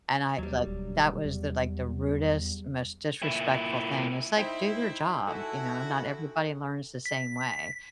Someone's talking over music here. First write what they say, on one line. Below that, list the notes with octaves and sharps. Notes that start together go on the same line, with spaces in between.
And I thought that was the like the rudest, most disrespectful thing. It's like, do your job, you know? Not everybody learns the same way.
D#2 F#3 G3
E1
E2
A#2 E4
D#4 E4 C5 G5
E4 F#4 A4 G#5
B6